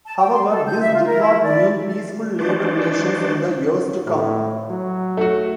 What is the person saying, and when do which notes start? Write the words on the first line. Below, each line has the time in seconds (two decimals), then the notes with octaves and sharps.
However, this did not mean peaceful labor relations in the years to come.
0.05 A5
0.17 G5
0.32 C6
0.50 A4
0.66 G6
0.80 E5
0.94 F4
1.06 A#4
1.21 E4
1.44 D5
2.39 E3 G#3 D4 F#4 C5 D5
4.07 A2
4.70 F#3
5.17 A3 F#4